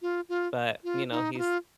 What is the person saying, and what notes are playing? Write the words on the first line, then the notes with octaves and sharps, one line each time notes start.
But you know, he's
F4
F4
F4
D#4
D#4
F4